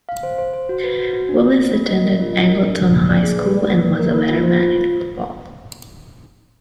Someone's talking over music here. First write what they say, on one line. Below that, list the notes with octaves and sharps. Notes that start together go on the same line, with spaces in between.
Willis attended Angleton High School and was a letterman in football.
F5
C5
C5
C5
F#4
B4
F#4
F#4
D4
A#3
D4
A#3
D#5
A#4
F4
D#5
A#4
D4
D4
A#3
D5
G#4
B4
D5
A#3
A#3
A#4
A#3
F4
C5
F4